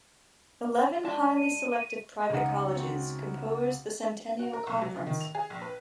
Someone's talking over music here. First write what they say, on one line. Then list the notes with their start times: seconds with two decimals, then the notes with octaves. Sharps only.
Eleven highly selective private colleges compose the Centennial Conference.
1.03 G#3 D4 A5
1.37 D#7
2.30 C#2 D#4 F#5
2.75 C4 F#4
4.39 F#4
4.53 A#4
4.67 B1
4.81 F#3
4.95 F3
5.07 D#3
5.21 F7
5.35 G#4
5.50 A#1
5.62 B4